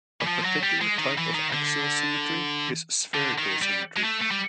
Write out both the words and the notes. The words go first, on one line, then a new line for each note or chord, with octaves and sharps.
A particular type of axial symmetry is spherical symmetry.
E3
F3
F#3
G3
G#3
D#3
E3
D#3
D3
D3
D#3
G3
G#3
A3
A3
G3